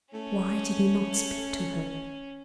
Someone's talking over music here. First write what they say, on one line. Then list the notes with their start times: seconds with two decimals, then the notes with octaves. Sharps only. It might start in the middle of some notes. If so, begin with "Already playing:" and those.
Why did he not speak to her?
0.13 A3 C#4